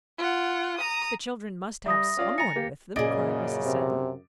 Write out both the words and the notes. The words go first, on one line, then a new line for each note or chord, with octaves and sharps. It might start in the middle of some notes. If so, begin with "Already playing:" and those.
"The children must have someone with them," cried Mrs. Sedley.
F4 F#5
A#5 D#6
G3 E5 D#6 A#6
C#4 F4 D5
G#5 A#5 A6 A#6 C#7
A#3 G4
F#2 A#2 C#3 G#4 D5 D#5 D7
C3